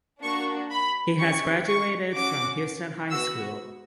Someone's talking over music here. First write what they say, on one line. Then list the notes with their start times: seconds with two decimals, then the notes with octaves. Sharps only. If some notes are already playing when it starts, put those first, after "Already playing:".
He has graduated from Houston High School.
0.23 A#3 D4 F#4 C#6
0.71 B5
1.19 C#4 G4 C#6
1.67 C#6
2.15 C#4 F#4 D6
3.10 B3 F#4 E6